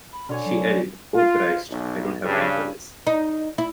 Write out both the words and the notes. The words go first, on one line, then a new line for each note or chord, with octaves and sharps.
She yelled, 'Oh, Christ, I don't have time for this.
B5
B2 D3 C#5 G#5
F#3
F4
B1
G2 C#3
D#4
E4